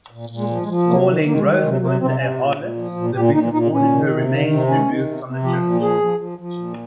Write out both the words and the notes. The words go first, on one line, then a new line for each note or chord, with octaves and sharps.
Calling Rosamund a harlot, the bishop ordered her remains removed from the church.
A#2
A#2
G#3
F3
G3
G#3
F3
C3 A#3
D#3
D#3 A#3
G#3
D#3 G3
G#3
C3 G#3
C3 A#3
C3 C4
C3 C#4
A#2
A#2
F3
A#2
A#2 G4
A#2 D#4
A#2 D#4
A#2 C#4
D#3
C3
D#3
C3
D#3 C#4
D#3
C3
C3
F3 G4
A#2
F3 G#4
F3
F3
F3
A#2